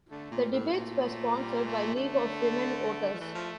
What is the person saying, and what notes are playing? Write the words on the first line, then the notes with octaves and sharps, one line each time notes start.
The debates were sponsored by League of Women Voters.
D3 A3
A#2
G3
A2
A#2 A3
G3
A3
D3 A3
F3
E3 A3
F3